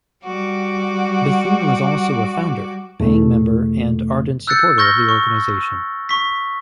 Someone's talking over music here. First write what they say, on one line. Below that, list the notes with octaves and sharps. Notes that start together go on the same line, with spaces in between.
Bethune was also a founder, paying member and ardent supporter of the organization.
G3 F#4 D6
E2 B2 E3 A3
E6 F#6 G6 A6 C#7
C#6 F6 G6 A#6 G7
C#6
C#6 B6